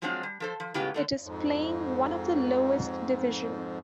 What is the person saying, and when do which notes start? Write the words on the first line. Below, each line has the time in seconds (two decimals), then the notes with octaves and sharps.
It is playing one of the lowest division.
0.02 F3 F#3 G#3 C4 D4 F4
0.23 G3
0.40 F3 A4 C5
0.60 F3
0.74 A2 C#3 G#3 B3 F4 G4
0.94 B2 D3 A3
1.23 F2 G#2